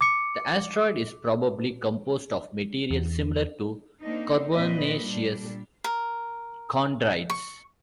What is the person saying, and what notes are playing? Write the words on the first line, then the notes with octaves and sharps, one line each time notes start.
The asteroid is probably composed of material similar to carbonaceous chondrites.
D6 C#7
E2
A#3 C4 D4 D#4
A#2 C4 B4 D5 D#5
A#2 G3 D4
A#4
C#6